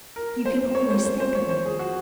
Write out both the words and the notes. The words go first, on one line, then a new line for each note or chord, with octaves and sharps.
"You can always think of me."
A#4
C5
C#5
C5
C5
C5
C#5
C5
G#4
F#4